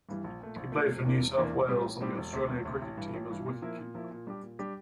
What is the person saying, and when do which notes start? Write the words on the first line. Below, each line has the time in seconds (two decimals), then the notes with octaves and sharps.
He played for New South Wales and the Australian cricket team as wicket-keeper.
0.09 G2 E3 G3
0.24 A#1
0.41 A#2 A3
0.56 A#1
0.72 A#2 A3
0.88 E1
1.05 E2 E3 A#3 D4
1.20 E1
1.37 E2 E3 A#3 D4
1.53 A1
1.68 A2 G3 C4 G4
1.86 A1
2.00 A2 G3 C4 G4
2.18 E1
2.33 D2 C3
2.49 E1
2.65 D2 C3
2.82 A1
2.97 G2 E3
3.14 A1
3.30 G2 E3
3.46 A#2
3.62 F3 A#3 E4
3.78 A#2
3.94 F3 A#3 E4
4.11 A#2
4.27 G3 D4 G4
4.43 A#2
4.59 G3 D4 G4